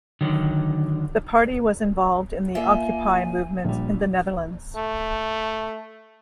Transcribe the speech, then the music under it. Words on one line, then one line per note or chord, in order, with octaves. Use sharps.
The party was involved in the Occupy movement in the Netherlands.
D3 D#3 F#3
A#3 F4 E5 G#5
A#1 A#2 G3
A3